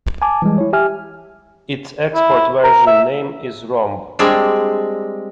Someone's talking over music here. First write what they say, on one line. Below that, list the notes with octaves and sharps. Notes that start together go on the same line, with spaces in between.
Its export version name is Romb.
G#5 A5 D6
E3 G3 G#3
E4 C#5
G4 E5 G#5 F6
E4
A#4
E5
G3 G#3 C4 D4